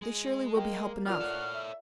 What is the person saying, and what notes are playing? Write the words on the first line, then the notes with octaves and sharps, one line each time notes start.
"They surely will be help enough."
G#3 G#4
A#3 D#5 G5
A#3 B3 C#4 F4 A#4 D5 F6
A3 A4 C#5 F#5
E5